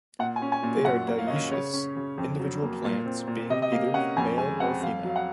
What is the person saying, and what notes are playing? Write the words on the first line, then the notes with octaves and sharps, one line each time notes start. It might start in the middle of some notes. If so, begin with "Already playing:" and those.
They are dioecious, individual plants being either male or female.
A#2 F#5
G#5
C#4
G#5
A#2
F#2 F#5
A#3
F5
C#4 D#5
F5
C#3 C#5
C#4
C#3
F2
F#3
A#3
A#2
C4
A#2
C3 D#5
D#5
A#3 F5
C#4 F#5
F2 G#5
G#3 G#5
C4 F#5
F2 F5
F#3 F5
F#5